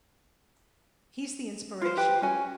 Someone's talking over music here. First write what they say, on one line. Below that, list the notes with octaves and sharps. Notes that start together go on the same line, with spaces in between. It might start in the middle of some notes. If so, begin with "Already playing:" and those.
He's the inspiration.
F4 C5
G4 B4 G5
C#4 F#4 G#5